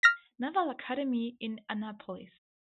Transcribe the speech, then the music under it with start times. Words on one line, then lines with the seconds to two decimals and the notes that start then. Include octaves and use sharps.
Naval Academy in Annapolis.
0.03 F6 A#6 B6